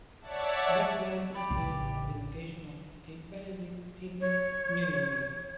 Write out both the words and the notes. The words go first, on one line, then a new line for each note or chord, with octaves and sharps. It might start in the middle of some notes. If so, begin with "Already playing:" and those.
Bethlehem is built at the location of a Benedictine nunnery.
C#5 D5 E5 F#5 A5
G4 D5 B5
A1 C#3
C#5